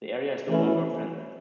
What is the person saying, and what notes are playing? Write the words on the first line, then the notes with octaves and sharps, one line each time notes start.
The area is no longer fenced.
E3 A3 C#4 E4